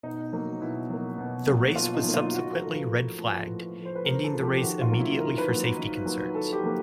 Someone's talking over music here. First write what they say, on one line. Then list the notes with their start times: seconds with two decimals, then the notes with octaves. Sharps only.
The race was subsequently red flagged, ending the race immediately for safety concerns.
0.03 B2 D#4
0.33 F#3 A#3
0.61 B2 E4
0.90 F#3 A#3
1.18 B2
1.47 F#3 A#3
1.76 B2 F4
1.94 D#4
2.04 F#3 A#3
2.14 F4
2.33 A2 F#4
2.52 A#4
2.62 F3 A3
2.71 B4
2.90 A2
3.19 F3 A3
3.48 A2
3.76 F3 A3
3.85 C5
3.95 B4
4.05 A2 A#4
4.24 A4
4.33 F3 A3
4.43 G4
4.62 D#3 F#4
4.81 F4
4.91 F#3 A#3
5.00 E4
5.19 D#3 A#4
5.38 B4
5.48 F#3 A#3
5.77 D#3
6.05 F#3 A#3
6.34 D#3 A4
6.53 G4
6.63 F#3 A#3